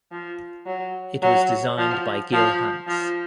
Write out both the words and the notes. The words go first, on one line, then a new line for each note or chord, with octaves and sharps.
It was designed by Gil Hanse.
F3
F#3
F#3
F3
F3
F3